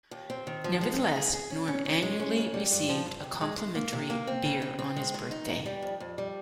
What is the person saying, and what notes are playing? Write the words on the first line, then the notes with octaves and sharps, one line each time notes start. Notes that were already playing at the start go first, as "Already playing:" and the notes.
Nevertheless, Norm annually received a complimentary beer on his birthday.
D#2
C4
D#3
F3
G#3
G#3
G#4
G#4
C#4
C#4
C#4
G#3
C#4
F2
G3
G2
F3
G2
C3
G#3
G#3
A#3
C3
A#3
C4
C#3
C4
C4
G#3
D#3
D#4
G#2
G3
F2
F2
G3